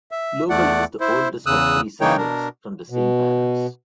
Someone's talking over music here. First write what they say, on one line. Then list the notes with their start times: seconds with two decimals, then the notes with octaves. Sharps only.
Lobel is the oldest of three siblings from the same parents.
0.11 E5
0.50 E2 A3 D5 F#5
1.00 E4 C5
1.46 E2 C#3 D#6 E6 F#6
2.01 C#3 E3 A#3 D#4 C#5 G5
2.17 B2 D4 A#4
2.90 B2